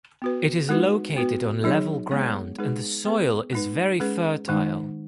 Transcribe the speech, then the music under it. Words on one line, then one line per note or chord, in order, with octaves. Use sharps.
It is located on level ground and the soil is very fertile.
B3 F#4 B4
G#3 D#4 F#4 B4
B3 F#4 B4
F#3 D#4 G#4 C#5
G#3 B3 G#4 C#5
G#3 D#4 G#4 B4
B3 G#4 B4
G#3 D#4 B4
G#3 C#4 G#4 B4
D#3 G#3 D#4